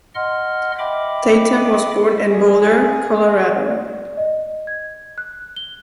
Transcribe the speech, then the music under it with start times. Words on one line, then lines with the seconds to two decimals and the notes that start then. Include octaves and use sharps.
Tatum was born in Boulder, Colorado.
0.15 D#5 F#5 C6 F6
0.79 D#5 E5 G5 B5 D6
2.29 G#4
3.66 D5
4.17 D#5
4.67 G#6
5.18 F#6
5.56 G7